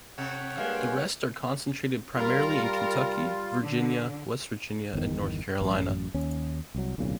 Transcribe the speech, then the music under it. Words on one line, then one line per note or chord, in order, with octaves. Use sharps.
The rest are concentrated primarily in Kentucky, Virginia, West Virginia, and North Carolina.
C3 A4 C#5 F#5 G5
G3 G#3 A#3 D4 B4 F5
G3 F4 A#4
D3
G1 E2 D#3
A1 F#2
D#2 C#4
C2 F#3
D1 B1 A#2 C#3